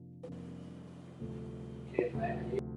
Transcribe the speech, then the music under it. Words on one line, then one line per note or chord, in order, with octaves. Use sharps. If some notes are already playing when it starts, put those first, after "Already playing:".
Brisbane Water National Park is vulnerable to various environmental threats.
Already playing: F2 C3 F3 A#3 D4
F2 C3 F3 A#3 D4
D2 C3 F3 A3
D2 C3 F3 A3